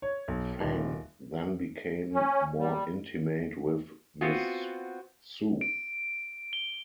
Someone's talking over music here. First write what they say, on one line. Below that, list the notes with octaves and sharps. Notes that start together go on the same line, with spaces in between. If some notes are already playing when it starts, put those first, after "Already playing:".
Fang then became more intimate with Miss Su.
C#5
B1
D#1
C#4
G3
B3 C4 F4 F#4
D7
G7